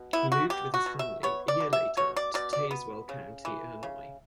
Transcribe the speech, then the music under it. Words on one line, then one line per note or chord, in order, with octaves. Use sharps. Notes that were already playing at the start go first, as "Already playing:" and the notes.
He moved with his family a year later to Tazewell County, Illinois.
Already playing: B2
B3 E4
F#4
B2 G4
F#4
B2
E5
B3 C#5
D5
B2
E5
B2 C#5
D5
B2 D5
D5
B3
C#3
E3
C#3